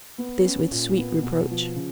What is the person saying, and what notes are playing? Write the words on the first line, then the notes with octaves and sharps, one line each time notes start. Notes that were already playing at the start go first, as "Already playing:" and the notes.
This with sweet reproach.
B3
C#4
A#2
B3
B2
F3
C#3